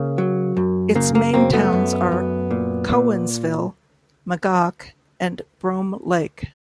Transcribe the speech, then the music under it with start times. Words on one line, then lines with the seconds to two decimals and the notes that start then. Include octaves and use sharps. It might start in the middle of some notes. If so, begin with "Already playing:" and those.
Its main towns are Cowansville, Magog, and Brome Lake.
Already playing: C#3 A#3
0.18 F#3
0.57 F#2
0.95 C#3 A#3
1.15 A#3
1.34 F#2 A#3 C4
1.53 A3 B3
1.73 F#2
2.12 F#2
2.51 A#2
2.89 A#2